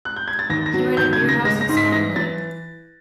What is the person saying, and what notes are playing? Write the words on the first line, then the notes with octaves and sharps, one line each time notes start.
He ran a beer house in Spon Lane.
F#6
G6
G#6
A6
D#2 A#6
A#6
F#3
D#2 G6
G#6
C#3
A#6
G#3 A#6
A#6
G#2
B6
E3 A#6
E3 A6